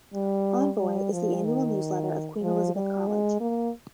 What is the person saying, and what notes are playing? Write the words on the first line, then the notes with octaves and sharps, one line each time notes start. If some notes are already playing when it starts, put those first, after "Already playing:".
"Envoy" is the annual newsletter of Queen Elizabeth College.
G3
G3
F3
D#3
F3
G3
G#3
A#3